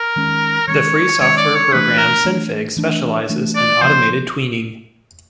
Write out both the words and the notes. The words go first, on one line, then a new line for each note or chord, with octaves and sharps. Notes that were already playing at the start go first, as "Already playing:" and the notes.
The free software program Synfig specializes in automated tweening.
Already playing: A#4
D#3 G#3 C#4
D#3 G#3 C#4 C#5
D#3 G#3 C#4 C#5
D5
C#5
E3 A3 D4 B4
A#4
E3 A3 D4
E3 A3 D4
E3 A3 D4
D5
C#3 F3 A#3 C5